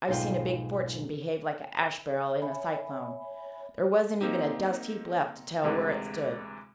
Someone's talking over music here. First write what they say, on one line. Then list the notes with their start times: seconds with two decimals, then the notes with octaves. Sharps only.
I've seen a big fortune behave like an ash-barrel in a cyclone--there wasn't even a dust-heap left to tell where it stood!
0.09 B1 G#2 F4 G5
2.42 C#5 E5 G#5 B5
4.21 A#3 C4 D#4 G4
5.64 D2 C3 E3 G#3